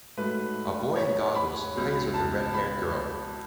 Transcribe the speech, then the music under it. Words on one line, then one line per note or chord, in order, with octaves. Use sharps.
A boy in goggles plays with a readhaired girl.
G#2 F#3 A3 B4
C#5
B5
C#2 B2 G#3
A5
B5